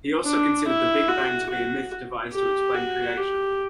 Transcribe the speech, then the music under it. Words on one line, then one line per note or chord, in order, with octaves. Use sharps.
He also considered the Big Bang to be a myth devised to explain creation.
D4
E4
F#4
F#4
G4
F#4
G4